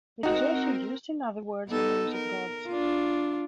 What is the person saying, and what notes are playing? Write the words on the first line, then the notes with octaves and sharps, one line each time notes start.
It is also used in other words or names of gods.
C4 D#4 F#4 A#4
B3 D#4 A4
A#4
D4 F4